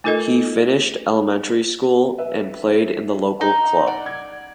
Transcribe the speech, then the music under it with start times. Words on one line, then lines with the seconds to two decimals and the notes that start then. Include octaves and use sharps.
He finished elementary school and played in the local club.
0.04 A3 D#4 F4 A4 A#4 D#5
2.18 B4 E5
3.41 D#4
3.87 D5 F#5
4.06 G#6